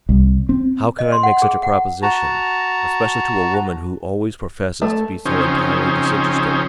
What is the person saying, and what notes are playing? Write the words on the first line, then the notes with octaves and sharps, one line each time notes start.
"How could I make such a proposition, especially to a woman who always professes to be so entirely disinterested?"
C2
C4
D#5
C6
F#5
G#4
F#5
F#4 A5 A#5
A3
C#3 F3 C4 C#4 D#4 C5